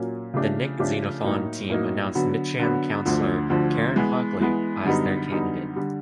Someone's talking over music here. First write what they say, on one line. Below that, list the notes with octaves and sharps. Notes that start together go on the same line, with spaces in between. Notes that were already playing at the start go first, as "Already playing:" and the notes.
The Nick Xenophon Team announced Mitcham councillor Karen Hockley as their candidate.
Already playing: A#2 F#3 A#3 C#4
C#3 F3 A3 D4 G4
C#3 F3 A3 D4 G4
A2 F#3 A#3 D#4
A2 F#3 A#3 D#4
D3 F#3 B3
D3 F#3 B3
D2 D3 F3
D2 D3 F3
E3 G#3 B3
E3 G#3 B3
F#2 D3 G3 B3 D#4
F#2 D3 G3 B3 D#4
D3 G3